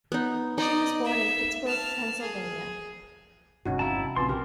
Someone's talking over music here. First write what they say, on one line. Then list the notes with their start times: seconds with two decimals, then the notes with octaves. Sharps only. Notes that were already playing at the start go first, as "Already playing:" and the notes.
She was born in Pittsburgh, Pennsylvania.
0.12 B3 D#4
0.58 D#4 D5 D#5
1.04 E5
1.66 A5 F6
2.22 G#4
3.66 G1 C3 C#4 D#4 F#4
3.79 E4 F5 G5 A5 A#5
4.16 A#1 C#3 C4 F4 B4 C6
4.29 G4 A#4